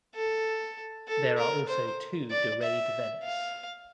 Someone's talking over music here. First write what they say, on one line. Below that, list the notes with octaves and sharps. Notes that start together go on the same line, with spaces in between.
There are also two Dorade vents.
A4
A4
A#4
C5
D5
E5
F5